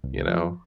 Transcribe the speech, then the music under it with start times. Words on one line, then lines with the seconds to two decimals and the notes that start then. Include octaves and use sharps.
You know,
0.04 C2
0.28 F3